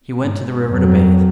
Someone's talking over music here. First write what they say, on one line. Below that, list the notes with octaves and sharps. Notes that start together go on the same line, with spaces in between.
He went to the river to bathe.
G#2
F2 F#3